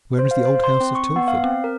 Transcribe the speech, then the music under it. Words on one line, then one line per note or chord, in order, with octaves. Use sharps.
Where is the old house of Tilford?
C5
F5
C5
C6
C4
C#6
B3
F5
C4
A#4